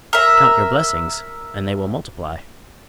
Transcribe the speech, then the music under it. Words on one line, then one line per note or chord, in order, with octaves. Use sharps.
"Count your blessings" and they will multiply.
A#4 E5